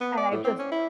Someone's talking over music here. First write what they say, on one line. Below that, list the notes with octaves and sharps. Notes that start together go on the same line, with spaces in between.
and I've just
B3
D5
A2
C4
C#4
E4